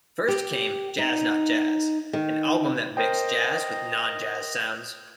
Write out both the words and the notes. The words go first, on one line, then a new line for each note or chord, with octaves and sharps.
First came "JazzNotJazz", an album that mixed jazz with non-jazz sounds.
G4
D#4
D#3
A#4 C5 D#5 G5